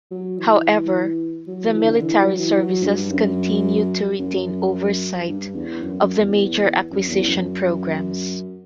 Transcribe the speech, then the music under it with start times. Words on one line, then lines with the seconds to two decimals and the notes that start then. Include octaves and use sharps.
However, the military services continued to retain oversight of the major acquisition programs.
0.11 F#3
0.38 E3
1.47 F#3
1.65 E3
1.84 D3
2.01 E3
2.20 F#3
2.38 E3
2.56 F#3
2.83 G2
3.10 F#2
4.19 F#2
5.28 G2
5.55 E2
5.82 F#2
6.00 F#2
6.19 E2
6.91 F#2
7.09 E2
7.27 F#2